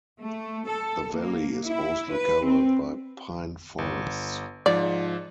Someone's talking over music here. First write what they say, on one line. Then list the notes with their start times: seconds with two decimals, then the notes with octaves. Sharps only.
The valley is mostly covered by pine forests.
0.21 A3
0.69 A4
1.13 A#3
1.66 E4
2.13 B4
2.46 C4
3.78 G1
4.66 G#2 F3 D5